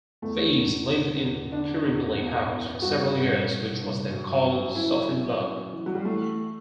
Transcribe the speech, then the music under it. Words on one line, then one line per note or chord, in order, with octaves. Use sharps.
Feez lived in Kirribilli House for several years which was then called Sophienberg.
E2 A3
E2
D3
E2
D3 D4
E2
E2
E2
G2 F#4
G2
G2
G2
F#2
F#2
F#2 E4
F#2
F#2
E3
F#3
G3
E3 A3